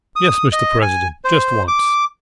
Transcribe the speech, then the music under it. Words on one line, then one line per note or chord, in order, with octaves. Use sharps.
"Yes, Mr. President, just once."
D#6
D#5
G#5
C5
D6